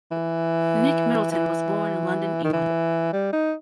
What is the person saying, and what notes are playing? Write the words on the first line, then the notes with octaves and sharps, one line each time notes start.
Nick Middleton was born in London, England.
E3
E3
D#3
E3
G3
D#4